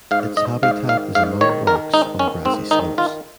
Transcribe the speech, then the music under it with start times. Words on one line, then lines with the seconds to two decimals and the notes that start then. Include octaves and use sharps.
Its habitat is among rocks on grassy slopes.
0.11 G#2 F5
0.37 G#2 D#5
0.63 G#2 F5
0.89 D#3 F5
1.15 G#2 F5
1.41 D#3 C#5
1.67 D#3 A#4
1.93 G#2 D#4
2.19 D#3 C#4
2.45 G#2 C4
2.71 D#3 D#4
2.98 D#3 F4